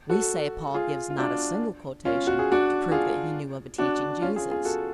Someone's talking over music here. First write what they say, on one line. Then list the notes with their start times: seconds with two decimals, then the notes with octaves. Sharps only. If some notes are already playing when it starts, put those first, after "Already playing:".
We say Paul gives not a single quotation to prove that he knew of a teaching Jesus.
0.09 F#4 A4
0.74 F4 G#4
1.10 F4
1.18 D4 F#4
2.05 C#4 F4
2.27 F#4
2.39 G#4
2.52 D4 F#4
2.91 F4 G#4
3.78 D4 F#4
4.22 C#4 F4
4.36 F4 G#4
4.51 F4 G#4
4.65 F#4 A4